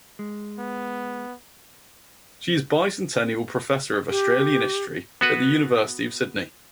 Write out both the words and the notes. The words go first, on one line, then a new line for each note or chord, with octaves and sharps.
She is Bicentennial Professor of Australian History at the University of Sydney.
G#3
B3
G4
B3 F#4 B4